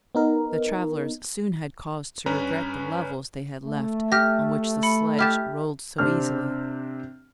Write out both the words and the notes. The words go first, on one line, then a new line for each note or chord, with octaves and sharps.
The travellers soon had cause to regret the levels they had left, on which the sledge rolled so easily.
B3 D#4 A#4
G2 C#4 B4 A#5
A3
G4 F6 A#6
B5 C#7
E4 G4 A5 F6
C3 C4 D4 F6